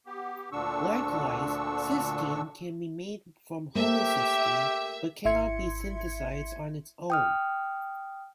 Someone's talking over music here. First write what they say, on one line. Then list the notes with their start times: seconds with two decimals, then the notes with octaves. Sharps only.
Likewise, cysteine can be made from homocysteine but cannot be synthesized on its own.
0.06 B3 G4
0.52 D2 A#2 D3 D4 C#6 E6
3.75 A3 A#3 G4 C5 E5
5.25 G#1 E4 E5 C6 G#6 C#7
7.10 G5 D#6 F6